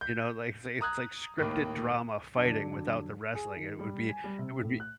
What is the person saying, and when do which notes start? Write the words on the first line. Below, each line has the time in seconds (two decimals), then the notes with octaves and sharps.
you know, like, it's it's like scripted drama fighting without the wrestling it would be it would be
0.01 G6
0.81 A#5 D#6 F#6 G#6
1.38 D#2 A2 D#3
2.37 F2 D3 F#3 D4
3.34 G#4
3.56 D#3
3.79 G3
4.09 G#5
4.24 G3
4.39 C3
4.63 A2
4.80 F#6